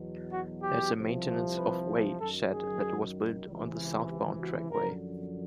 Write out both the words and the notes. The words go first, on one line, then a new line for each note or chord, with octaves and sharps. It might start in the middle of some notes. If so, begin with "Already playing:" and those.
There is a "Maintenance of Way" shed that was built on the southbound trackway.
Already playing: E2 B2 F#3
F#4
G4
C2 C3 F3
B4
F#2 D#3 F#3 A4
G#4
C#2 C3 E3
G4
F#4
F#2 D3 F3 A#4